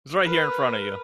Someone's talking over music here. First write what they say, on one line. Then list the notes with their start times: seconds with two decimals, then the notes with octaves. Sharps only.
"It's right here in front of you.
0.24 A#4 B4